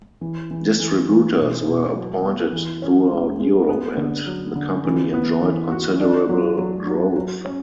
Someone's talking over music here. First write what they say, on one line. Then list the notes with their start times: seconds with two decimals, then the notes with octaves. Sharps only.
Distributors were appointed throughout Europe and the company enjoyed considerable growth.
0.21 E3
0.51 E3
0.80 E3
1.09 E3
1.38 B2
1.67 B2
1.95 F#3
2.25 B3
2.53 E3
2.82 C#4
3.11 G#3
3.40 G#3
3.69 B3
3.97 D3
4.26 F#3
4.56 D3
4.85 E3
5.13 B3
5.42 E3
5.71 F#4
6.00 D4
6.29 F#3
6.58 F#3
6.87 F#3
7.16 F#3
7.45 C#4